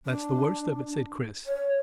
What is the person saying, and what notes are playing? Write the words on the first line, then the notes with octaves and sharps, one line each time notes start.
"That's the worst of it," said Chris.
D4
C#5